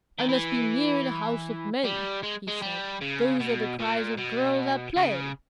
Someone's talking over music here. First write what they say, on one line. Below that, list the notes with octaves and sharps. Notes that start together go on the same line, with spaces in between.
"I must be near the houses of men," he said; "those are the cries of girls at play."
D#3
E3
G3
G#3
G#3
G3
C#3
B2
A#2
B2
C#3